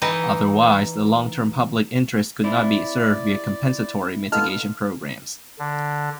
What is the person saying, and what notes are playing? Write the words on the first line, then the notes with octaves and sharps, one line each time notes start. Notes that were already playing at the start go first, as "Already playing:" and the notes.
Otherwise, the long-term public interest could not be served via compensatory mitigation programs.
E3 D#4 D#5
C4 D4 E4 D5
B3 D#4 F4 A4 D#5 F6
D3